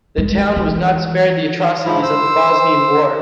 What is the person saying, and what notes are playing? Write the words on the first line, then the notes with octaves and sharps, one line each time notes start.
The town was not spared the atrocities of the Bosnian war.
G#3
E3
G#2 F3 E4
C5 E6